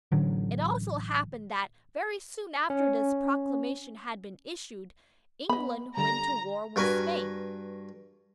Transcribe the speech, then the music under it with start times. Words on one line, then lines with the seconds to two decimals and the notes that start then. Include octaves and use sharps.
It also happened that very soon after this proclamation had been issued, England went to war with Spain.
0.11 A1 D3 F#3
2.70 C#4
5.49 B3 D#5 B5
5.97 D3 G3 A#5
6.76 G2 F#4 A#4 B4 G#5